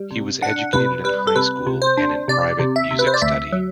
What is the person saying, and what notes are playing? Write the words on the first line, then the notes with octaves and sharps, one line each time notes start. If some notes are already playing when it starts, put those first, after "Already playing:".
He was educated in high school and in private music study.
Already playing: G3
C3
D4 F#5
C3 B4
G3 B4
A4
C3 B4
C3
C5
D4
C3 D5
C3
E5
C3
B4
C5
D5
D2 E5
F#3